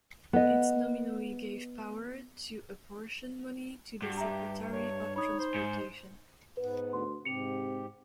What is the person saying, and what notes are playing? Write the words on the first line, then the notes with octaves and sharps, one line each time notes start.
It nominally gave power to apportion money to the Secretary of Transportation.
B3 D#5
G2 F#4
G4 E5 A#5
C#5
D#4 C#5 B5 D#6
C5
G#2 C#7
G#2 B3 B4
D2 C6
G#2 C3 G4 C#7 F7